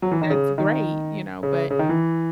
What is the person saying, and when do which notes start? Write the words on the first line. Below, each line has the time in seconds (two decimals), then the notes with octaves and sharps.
that's great, you know, but,
0.02 F#3
0.11 E3
0.22 D#3
0.30 C#3
0.58 D#3
1.43 C#3
1.71 C#3
1.79 D#3
1.89 E3